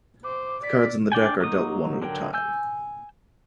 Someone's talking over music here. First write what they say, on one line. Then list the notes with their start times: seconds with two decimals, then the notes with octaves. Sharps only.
The cards in the deck are dealt one at a time.
0.24 C5 D6
0.64 D5 B6
1.12 D4 D5 G5 G#5
1.40 F#3 A#3 D#4 D#6
2.02 D3 F#3 A#4 G5
2.33 G#5 E6 G6